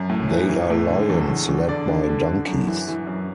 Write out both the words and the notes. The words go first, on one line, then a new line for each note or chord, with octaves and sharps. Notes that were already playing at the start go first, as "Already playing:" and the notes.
They are lions led by donkeys.
Already playing: F#2
A2
E3
E3
A2
D3
E2
E2
E2
D3 D5
D3
D3
D3
F#2
E3
E3
F#2